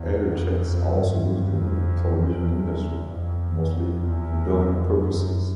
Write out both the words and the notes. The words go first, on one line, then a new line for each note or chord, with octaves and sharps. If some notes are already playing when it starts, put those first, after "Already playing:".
Airchecks are also used in the television industry, mostly for billing purposes.
Already playing: E2
F2
F2
G2
F2
E2
F2
E2
F2
F#2